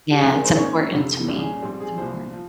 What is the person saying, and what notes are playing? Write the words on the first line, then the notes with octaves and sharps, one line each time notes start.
Yeah, it's important to me, it's important.
G4
F2 D#3 G#3 C4 G#4
A#4
C5
G#2 D#3 A#3 C#4 C#5
F1 F2 C3
C2 A#2 G3 C#4
G#4
A#1 G#2 G3 C4
G#4
C2 A#2 F3 C5
F3